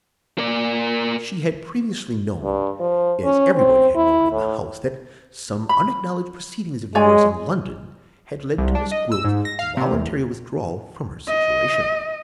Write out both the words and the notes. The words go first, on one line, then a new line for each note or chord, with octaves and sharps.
She had previously known, as everybody had known in the house, that some unacknowledged proceedings of yours in London had led to Miss Gwilt's voluntary withdrawal from her situation.
A#3 D5
G2
F3
C#4
C4
E4
A2
B5
G#3 C#5 D5 G#5
C2
D4
D#5
E6
G#2
A#6
F5
C3
E2
D#5